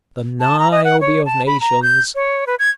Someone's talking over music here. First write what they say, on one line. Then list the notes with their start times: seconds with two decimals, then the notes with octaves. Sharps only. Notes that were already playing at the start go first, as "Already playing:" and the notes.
The Niobe of nations!
0.40 A5
0.59 A#5
0.71 D#5
0.85 F#5
1.01 C#5
1.26 A5
1.47 B5
1.61 A#5
1.83 G6
2.15 C#5
2.47 B4
2.59 G#6